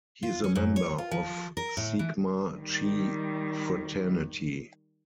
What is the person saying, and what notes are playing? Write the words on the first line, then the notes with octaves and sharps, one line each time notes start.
He is a member of Sigma Chi Fraternity.
F4
C#4
F#2
C#5
F4
F3
A#4
A2
E3
D#3 G3